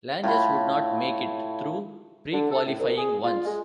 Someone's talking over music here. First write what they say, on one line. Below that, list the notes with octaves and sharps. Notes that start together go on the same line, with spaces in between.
Langes would not make it through pre-qualifying once.
A2 F4 C#5 B5
D3
A4
A2
C2
G#4
F4
G#3